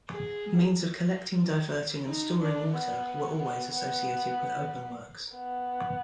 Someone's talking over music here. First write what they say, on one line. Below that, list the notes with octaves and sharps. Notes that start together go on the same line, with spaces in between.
Means of collecting, diverting and storing water were always associated with openworks.
G#4
D#4
D4
B3
B3
B3
B3